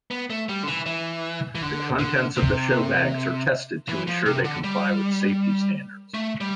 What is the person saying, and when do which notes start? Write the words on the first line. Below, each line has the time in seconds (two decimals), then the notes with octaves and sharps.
The contents of the showbags are tested to ensure they comply with safety standards.
0.11 B3
0.30 A3
0.49 G3
0.63 D3
0.67 E3
0.86 E3
1.55 E3
1.62 D3
1.99 D3
2.37 C3
3.89 E3
4.08 F3
4.26 C3
4.44 D3
4.64 G3
6.14 A3
6.41 G3